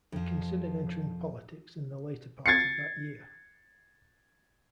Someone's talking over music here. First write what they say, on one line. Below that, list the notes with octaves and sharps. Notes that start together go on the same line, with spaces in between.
He considered entering politics in the later part of that year.
F2 F3
G#6 A6 C7 C#7